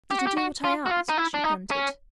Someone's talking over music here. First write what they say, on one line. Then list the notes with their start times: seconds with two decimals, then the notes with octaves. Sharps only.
"Did you do what I asked?" she panted.
0.11 G4
0.19 F#4
0.27 G4
0.37 F#4
0.64 F4
0.86 F#4
0.91 F4
1.09 D#4
1.18 E4
1.34 D4
1.44 D#4
1.71 C#4